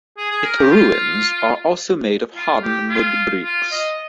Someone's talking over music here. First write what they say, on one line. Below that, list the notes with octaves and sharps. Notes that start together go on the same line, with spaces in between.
Its ruins are also made of hardened mud bricks.
G#4
G#4
A#4
G4
F4
F4
G4
F4
F4
D#5